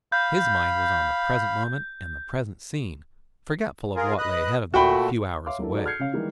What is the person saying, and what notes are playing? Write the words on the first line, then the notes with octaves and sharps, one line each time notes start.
His mind was on the present moment and the present scene, forgetful of what lay ahead of them, a few hours away.
F5 B5 G6
F4 G#4 A#4
B4 D#5 F#6
A#2 A3 F#4 G5 B5
C#5 E5 F5 C6 D6
F#3 A#3 D4 E4 A4
D#4 F#4 G#4 A4 D5
F6 G6 G#6 C7 C#7
C#3 C#4 F5
D#3 E3 G3 G#3 A#3 E4